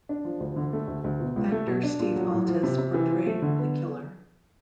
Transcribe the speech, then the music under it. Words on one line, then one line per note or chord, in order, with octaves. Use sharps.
Actor Steve Altes portrayed the killer.
D4
F3
D2
D3
A3
D2
D2
B2
C#2
A3
B2
D4
A#2
F#3
A2
F3
C3
C3
E3
F3
A3
D3
B3